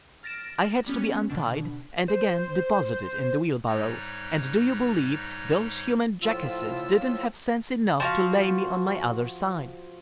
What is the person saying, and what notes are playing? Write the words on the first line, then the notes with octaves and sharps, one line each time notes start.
I had to be untied, and again deposited in the wheelbarrow, and do you believe, those human jackasses didn't have sense enough to lay me on my other side.
F6 A6 A#6 D7 E7
G3 B3 C#4
B2 D3 D4
C5
G#2 G3 D#4 C#5 F#6 A#6
A2 F3 F4 E6
F3 F#4 F5